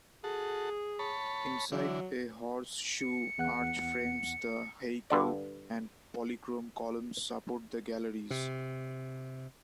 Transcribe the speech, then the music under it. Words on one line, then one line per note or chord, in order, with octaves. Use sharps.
Inside, a horseshoe arch frames the heichal and polychrome columns support the galleries.
F#4 G#4 A4
C#5 A5 B5
D3 E3 F#3
C#7
E2 F#5 F#6
G2 D3 D5
C3